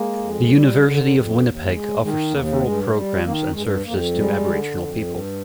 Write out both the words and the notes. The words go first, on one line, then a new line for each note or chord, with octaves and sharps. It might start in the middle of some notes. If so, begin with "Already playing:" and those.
The University of Winnipeg offers several programs and services to Aboriginal people.
Already playing: G#3 A#3
F2
G3
D3
F2
D#2
G#3
D#3 G#3
D#2 A#3
G2 G#3
G3
D#3 A#3
G2 G#3
F2 A#3
G3 G#3
D3
F2
G2